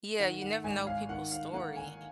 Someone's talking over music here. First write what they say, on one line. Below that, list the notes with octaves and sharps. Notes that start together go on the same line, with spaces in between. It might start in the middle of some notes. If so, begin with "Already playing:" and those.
Yeah, you never know people's story.
D#3 F#5
F#5
G#1 G#5
F5
D#3 F#5
F5
A#3 F#5
G#5